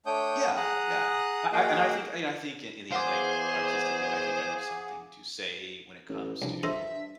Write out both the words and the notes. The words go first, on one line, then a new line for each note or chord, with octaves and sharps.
Yeah, yeah. I I and I think And I think in the end, like, artistically, I think I have something to say when it comes to,
A3 D4 C#5 G5 D#6 G6
G#4 F#5 A#5 D#6 F#6
A#3 F#4 G#4 D#5 F5 G5
E2 G#4 C5 F5 F#5 D6
A1 A4
C2 F3 D4
G2 A4 C5 D#5 E5